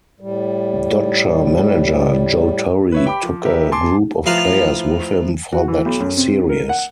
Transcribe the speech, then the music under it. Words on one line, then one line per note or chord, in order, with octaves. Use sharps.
Dodger manager Joe Torre took a group of players with him for that series.
A2 G3
B4 C#5 E5
G4 G5 B5 D6
F3
G4 A#4 B4 E5
G#5 A5 C6 D6
A2 F3 F4 B4 F5 A#5
F#4
E3
B1
F#2
C3
A#4
F#5